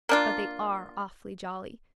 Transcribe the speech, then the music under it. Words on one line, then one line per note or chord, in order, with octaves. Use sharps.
But they are awfully jolly.
A#3 D4 F4